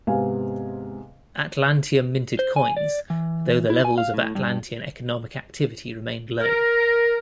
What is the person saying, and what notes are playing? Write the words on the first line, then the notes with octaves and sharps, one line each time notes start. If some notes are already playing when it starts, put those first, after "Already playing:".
Atlantium minted coins, though the levels of Atlantian economic activity remained low.
G#2 C3 B3 F5 G#5
C5
G#5
D5
E3
E4
G#5
F5
A2
G2
A#4